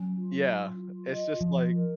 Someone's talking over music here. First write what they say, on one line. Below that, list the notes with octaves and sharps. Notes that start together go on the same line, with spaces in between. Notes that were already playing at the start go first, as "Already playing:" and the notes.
Yeah, it's just, like
Already playing: F#3 C#4
F4
F4
F4
D#5
F3 F4
A#4